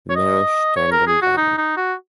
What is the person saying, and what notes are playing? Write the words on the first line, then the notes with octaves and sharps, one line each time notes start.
Mirisch turned him down.
C#5
D#5
C#5
A#4
G#4
F#4
D#4
D#4
F#4